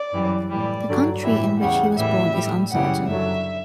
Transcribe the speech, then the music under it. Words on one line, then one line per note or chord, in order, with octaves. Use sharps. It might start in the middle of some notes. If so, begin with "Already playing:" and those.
The country in which he was born is uncertain.
Already playing: D5
F#2 E3 G3
A2 E3 G3 D5
G2 D3 F#3
A2 E3 G3 E5
E2 C#3 G3 F#5
A2 E3 G3 E5
A2 G3
F#2 C#3 E3 G3 F#5
F#2 D3 F#3 E5